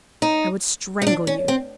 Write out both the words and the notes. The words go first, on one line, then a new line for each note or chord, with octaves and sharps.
"I would strangle you."
D#4
D#4
D4
C#4
C4